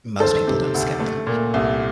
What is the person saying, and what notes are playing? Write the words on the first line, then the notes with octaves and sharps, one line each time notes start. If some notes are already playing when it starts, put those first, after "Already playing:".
most people don't skip them,
D#3 A4 C5
C3
D2
A3
A#2
C2